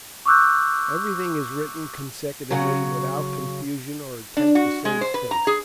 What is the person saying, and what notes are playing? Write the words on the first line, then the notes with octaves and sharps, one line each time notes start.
Everything is written consecutively, without confusion or attempt to save space.
C#6 D6 E6 F#6 G6
C#3 F#3
D4
F#4
G#3
C5
B4
A#5
G#4